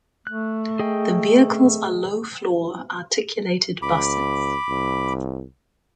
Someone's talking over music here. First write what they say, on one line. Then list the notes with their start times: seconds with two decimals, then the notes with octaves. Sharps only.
The vehicles are low-floor, articulated buses.
0.27 A3 F#6
0.79 G#4 D#5 G5
3.82 C#2 B5 D6
4.69 C2